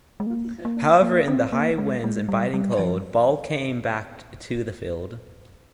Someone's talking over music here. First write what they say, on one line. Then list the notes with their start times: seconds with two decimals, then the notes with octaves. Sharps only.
However in the "high winds and biting cold" Ball came back to the field.
0.20 G#3
0.27 A#3
0.65 A#3
1.02 A#3
1.28 C4
1.52 A#3
1.78 G#3
2.04 G#3
2.29 G3
2.54 G3
2.79 F3